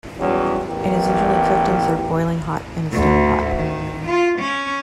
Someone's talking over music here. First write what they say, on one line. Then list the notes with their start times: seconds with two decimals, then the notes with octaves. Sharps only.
It is usually cooked and served boiling hot in a stone pot.
0.19 E2 F#3 G3 C#4
0.67 A1 E2 G4 A#4
2.92 D2
3.56 D#3
4.05 F4
4.39 C#4